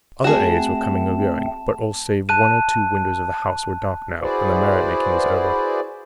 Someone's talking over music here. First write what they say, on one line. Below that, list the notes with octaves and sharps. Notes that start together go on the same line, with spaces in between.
Other aides were coming or going, but all save one or two windows of the house were dark now, and the merrymaking was over.
A3 C4 F#4 G#4 A5 E7
A5 F#6 D#7
E4 F#4 G#4 B4 C5 D5